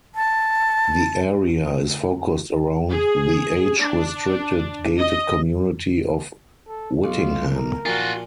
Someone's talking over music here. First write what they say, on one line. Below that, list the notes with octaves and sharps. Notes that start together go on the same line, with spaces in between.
The area is focused around the age-restricted gated community of Whittingham.
A5
G#4
D4
D#5
A4
B1 F4
A#4
A#2 F3 F4 F#4